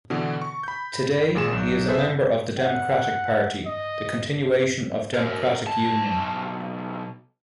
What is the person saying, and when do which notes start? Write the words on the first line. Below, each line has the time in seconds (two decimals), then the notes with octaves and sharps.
Today, he is a member of the Democratic Party, the continuation of Democratic Union.
0.10 B2 D3 E3 B3
0.42 C#6
0.63 B5 G6
1.35 G#1 A#2 G#4 E7
1.53 B1
1.88 G#4 A4 B4 C5 E5
2.59 F#5
3.65 D#5
5.15 A#4 C#5
5.67 B1 A5